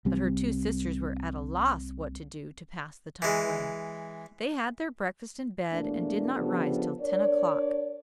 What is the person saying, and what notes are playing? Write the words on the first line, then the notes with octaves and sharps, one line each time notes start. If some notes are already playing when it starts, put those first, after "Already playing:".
But her two sisters were at a loss what to do to pass the time away: they had their breakfast in bed, and did not rise till ten o'clock.
C2 G3 C4
E3 G#3
E2 B2 A3 A#3 D4
C#3 F3 B3 D4 G4 A4
D4 A#4 C#5 D5